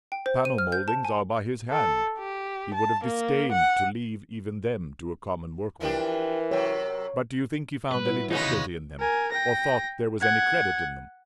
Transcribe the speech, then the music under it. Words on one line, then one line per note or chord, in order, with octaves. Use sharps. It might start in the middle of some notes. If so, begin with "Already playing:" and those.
The panel mouldings are by his hand; he would have disdained to leave even them to a common workman; but do you think he found any difficulty in them, or thought there was any credit in them?
G5
C5
D#7
F6
G6
A5
G#5
A4
G4
A5
A#3
F#5
E3 F3 D4 G4 A#4
C3 F#3 C#5
A2 G3 B4
F#3 E4
C#3 G#3 B3 C#4 D#4 C#5 F#5
E2 C3 D#3
A#4 G#5
G5 A#6
F#5 G#6